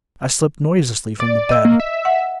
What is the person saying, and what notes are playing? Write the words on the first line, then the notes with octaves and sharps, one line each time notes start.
I slipped noiselessly from the bed.
D5
D#5 E6
A#3
E5
F#5